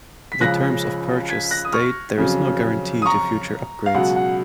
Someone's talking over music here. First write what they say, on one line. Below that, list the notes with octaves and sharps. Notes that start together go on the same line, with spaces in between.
The terms of purchase state there is no guarantee to future upgrades.
B6
C#2 C#3 F3 F#6 A#6
G#6 B6
F#6 A#6
D#6
C#6 F6
F2 C#3 F#3
D#6
A#5 C#6
F5
C#2 B2 F#3 F#5
F#5